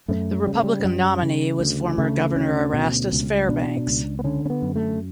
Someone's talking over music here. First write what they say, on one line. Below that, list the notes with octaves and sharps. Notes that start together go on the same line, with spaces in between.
The Republican nominee was former Governor Erastus Fairbanks.
F#2 A3
C#3 G3
A3
G3
F#2
C#3
D2
C#3 A3
D2 C#4
B2
C#2
B2 D4
C#2
B3
D3 C#4
C#4
B3
F#2
A3